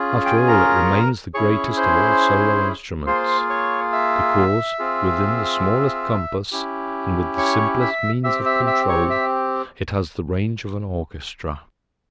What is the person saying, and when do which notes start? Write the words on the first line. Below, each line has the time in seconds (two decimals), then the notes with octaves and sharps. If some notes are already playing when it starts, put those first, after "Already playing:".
After all, it remains the greatest of all solo instruments, because, within the smallest compass and with the simplest means of control, it has the range of an orchestra.
Already playing: C#4 F4 G#4
0.25 G5
0.36 G#5
0.48 A#4 A#5
1.34 C#4 E4 G#4 C#5 C#6
1.77 C5 C6
3.06 A#3 F4 G#4 C5 C6
3.50 C#5 C#6
3.93 E5 E6
4.79 C4 F4 G#4
6.52 C#4 E4 G4
7.38 C#5 C#6
7.81 E5 E6
8.24 C4 G4 E5 E6
8.46 E5 E6
8.67 E5 E6
8.89 C#5 C#6
9.10 E5 E6